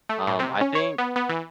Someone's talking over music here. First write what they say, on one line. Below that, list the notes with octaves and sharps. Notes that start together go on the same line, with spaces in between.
Um, I think
A3
A2
C3
C#4
C#5
B3
B3
E3